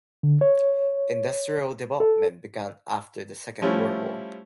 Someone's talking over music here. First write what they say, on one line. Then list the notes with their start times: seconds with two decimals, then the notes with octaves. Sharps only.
Industrial development began after the Second World War.
0.23 D3
0.41 C#5
2.00 A4
3.62 F3 G3 A3 C#4 E4